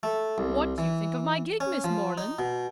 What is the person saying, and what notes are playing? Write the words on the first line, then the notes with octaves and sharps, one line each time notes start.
What do you think of my gig, Miss Morland?
A3
C2
E3
C#4
F3
D#4
B2